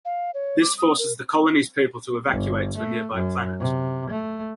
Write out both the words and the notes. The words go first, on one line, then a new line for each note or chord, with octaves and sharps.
This forces the colony's people to evacuate to a nearby planet.
F5
C#5
D6
D#6
A#4
G1
A3
F#2
C3
A3